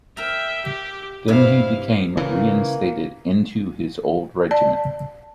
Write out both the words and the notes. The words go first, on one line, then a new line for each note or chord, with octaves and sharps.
Then he became reinstated into his old regiment.
A#4 E5 G5 A#5
G4
G2 C3 E4 B4 F5
C#3 E3 A#3
D5 A5